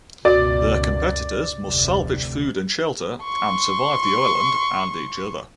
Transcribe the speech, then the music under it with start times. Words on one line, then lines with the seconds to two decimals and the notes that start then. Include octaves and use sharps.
The competitors must salvage food and shelter and survive the island and each other.
0.25 C#2 F#2 B2 F#4 D5
1.65 F1 D2 C3
3.23 C6 C#6